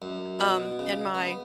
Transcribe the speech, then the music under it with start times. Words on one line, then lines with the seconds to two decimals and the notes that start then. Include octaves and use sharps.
um, and my
0.02 F#2
0.39 B2
0.79 C#3
1.15 B3